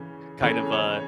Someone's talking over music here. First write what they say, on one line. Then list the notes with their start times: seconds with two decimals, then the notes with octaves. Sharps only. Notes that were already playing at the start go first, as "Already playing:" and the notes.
kind of, uh,
Already playing: C#3 E3 C#4
0.42 C#3 E3 A3 C#4 C#5
0.72 C#5